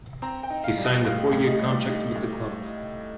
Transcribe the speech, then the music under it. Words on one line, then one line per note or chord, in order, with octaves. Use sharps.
He signed a four-year contract with the club.
C4 A#5
G5
D#4
F5
G3
D#5
A2 F5
A2
D#5
G3
D5
D#4
A2